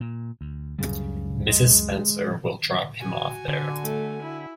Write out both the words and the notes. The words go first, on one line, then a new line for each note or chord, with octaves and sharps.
Mrs. Spencer will drop him off there.
A#2
D2
C#2 F#2 C#3 G3
G#3
F#4 G#5
D3
A3
E4